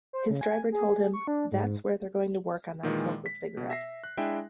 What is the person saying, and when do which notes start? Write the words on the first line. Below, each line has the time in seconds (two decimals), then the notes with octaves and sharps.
His driver told him, That's where they're going to work on that smokeless cigarette.
0.13 C5
0.30 C#3
0.41 G#5
0.72 G#4
1.14 C#6
1.27 D4
1.52 G#2
2.83 A#2 D#3 E3 G#3
3.26 B6
3.57 B2
3.70 E5 A#6 C7
4.04 F#6
4.17 G#3 D4 E4 E5 G5 G#5